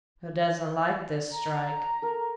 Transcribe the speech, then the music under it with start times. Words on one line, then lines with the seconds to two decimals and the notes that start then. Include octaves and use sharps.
Hoo doesn't like this strike.
1.31 A#5
2.02 A4 A#4